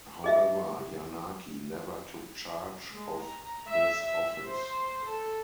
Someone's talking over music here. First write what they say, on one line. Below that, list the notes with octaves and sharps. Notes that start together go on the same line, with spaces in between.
However, Yanaki never took charge of this office.
G#4 D#5 E5
G#3
A#5
E5
E5
C5
A4